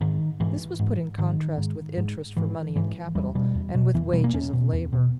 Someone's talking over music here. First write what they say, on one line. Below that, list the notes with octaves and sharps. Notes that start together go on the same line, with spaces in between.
This was put in contrast with interest for money and capital, and with wages of labor.
G#2 D#3
G#2 E3
G#2
G#2 D#3
G#2
G#2
G#2 E3
G#2 E3
E2 G3
B2 G3
E2
B2
E2 E3
B2 G3
A#3
E2 C#4
B2
E2
B2